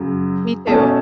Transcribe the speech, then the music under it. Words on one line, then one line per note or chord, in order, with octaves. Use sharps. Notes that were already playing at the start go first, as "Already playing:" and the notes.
Me too.
Already playing: F#2 C#3 F#3
B2 A3 C#4 A5